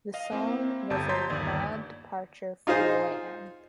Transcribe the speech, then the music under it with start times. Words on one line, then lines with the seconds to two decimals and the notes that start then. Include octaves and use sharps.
The song was a mild departure from Wham!
0.14 D#5 F5
0.32 A#3 C4 E4
0.90 G1 G4 A5 G6
1.09 A#5 C6 G6 A6 B6
1.30 G1 D#2 D5 G#6
2.67 D#4 F4 G#4 C5